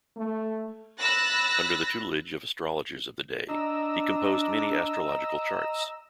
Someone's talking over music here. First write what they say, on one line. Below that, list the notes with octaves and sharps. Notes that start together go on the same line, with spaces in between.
Under the tutelage of astrologers of the day, he composed many astrological charts.
A3
B5 E6 F#6 A6 A#6
D4 D#5 A#5 E6